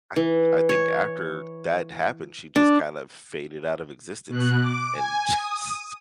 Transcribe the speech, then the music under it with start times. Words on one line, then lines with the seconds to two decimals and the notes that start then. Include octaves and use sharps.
I I think after that happened, she just kind of faded out of existence and just,
0.16 E3
0.69 C#5
2.56 D4
4.29 B2 F#6
4.60 D6
4.92 G#5
5.37 D#6